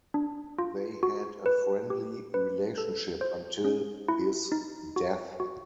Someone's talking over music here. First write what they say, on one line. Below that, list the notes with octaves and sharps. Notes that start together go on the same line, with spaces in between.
They had a friendly relationship until his death.
D4
F4
F#4
B4
G4
B4
A4
C5
C#4
E4
D#4
F#4
F#4